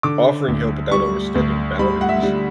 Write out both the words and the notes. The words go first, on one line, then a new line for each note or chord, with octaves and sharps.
offering help without overstepping boundaries,
D3 D6
D2
G3 C#6
D2
G3 B5
F#5
E5
G3